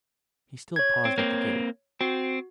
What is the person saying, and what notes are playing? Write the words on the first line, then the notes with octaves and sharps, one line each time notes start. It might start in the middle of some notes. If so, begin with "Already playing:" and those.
He still paused at the gate.
C#5 G#6
C4
A#3 C4
C4 F#4